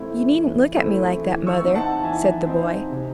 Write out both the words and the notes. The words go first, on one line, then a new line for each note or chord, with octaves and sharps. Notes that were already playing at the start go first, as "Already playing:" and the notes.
"You needn't look at me like that, mother," said the boy.
Already playing: E3 A3 C4 E4
E3
A3 C4 E4
E3
C#6 E6
C4 D#4
F#5 A5
E3 E5 G#5
C4 D#4
C3